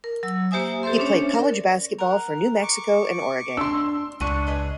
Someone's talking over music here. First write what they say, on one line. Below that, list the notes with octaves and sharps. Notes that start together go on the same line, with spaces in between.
He played college basketball for New Mexico and Oregon.
A#4
F#3 E6
A#3 G4 C5 E5 G#5 D#6
G4 A4 C5 E5 C6
C#4 D4 C#5
A#4 D5
A#4 F#5
C#6 D6
D4 C6 E6
C#2 A3 D4 F#5 C#6 D#7
G#4 B4 D#5